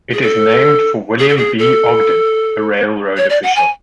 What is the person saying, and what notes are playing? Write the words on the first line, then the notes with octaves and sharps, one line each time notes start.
It is named for William B. Ogden, a railroad official.
G#4
A4
G#4
A4
G#4
A4
C#5
D5
F#5
G#5